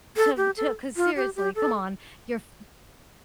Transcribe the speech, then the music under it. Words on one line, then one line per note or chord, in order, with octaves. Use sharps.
to to 'cause seriously, come on, you're f
A4
G4
A4
F4
G4
G4
A4